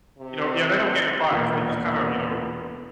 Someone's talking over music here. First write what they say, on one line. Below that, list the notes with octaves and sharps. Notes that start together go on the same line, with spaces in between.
you know yeah, they don't get in fights, they just kinda, you know,
C3
E1 A#2 B3 A#4